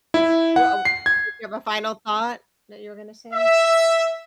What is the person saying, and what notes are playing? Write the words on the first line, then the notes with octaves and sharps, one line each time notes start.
Well, uh did you have a final thought that you were gonna say?
E4
F#5
C7
G#6
E5